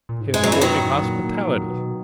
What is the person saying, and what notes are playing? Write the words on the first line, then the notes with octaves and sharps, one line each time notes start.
His courtly hospitality?
A#2
G#2
F#2 G#3
F#3
E3
D#3 F#3
A#2
A#2
A#2
B2